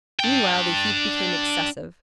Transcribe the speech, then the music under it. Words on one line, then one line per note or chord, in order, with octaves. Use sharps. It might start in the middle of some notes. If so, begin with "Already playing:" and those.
Meanwhile the heat became excessive.
D4 G5